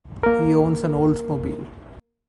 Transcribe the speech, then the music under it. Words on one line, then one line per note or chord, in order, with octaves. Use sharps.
He owns an Oldsmobile.
A#3 A#4